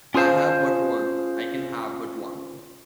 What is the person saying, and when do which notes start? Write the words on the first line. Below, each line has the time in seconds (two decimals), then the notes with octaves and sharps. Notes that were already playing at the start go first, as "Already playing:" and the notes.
I have but one; I can have but one.
0.15 C#4 F4 G#4 C5 F5 A5